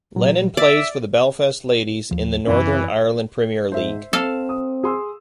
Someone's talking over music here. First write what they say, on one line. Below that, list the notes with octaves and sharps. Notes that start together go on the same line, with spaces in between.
Lennon plays for Belfast Ladies in the Northern Ireland Premier League.
A#2 F#3
D5 E5 D6
D#2 F3
F#2 E3 C4 C#4
G#2 C5 E5
C4 A4 F5
D#6
G#4 C6 E6